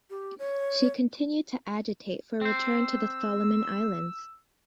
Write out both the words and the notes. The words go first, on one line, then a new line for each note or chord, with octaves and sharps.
She continued to agitate for a return to the Solomon Islands.
G4
C#5
C4 C5 E6